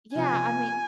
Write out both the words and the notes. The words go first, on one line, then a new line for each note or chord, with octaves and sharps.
Yeah, I mean
C3 F3 G#5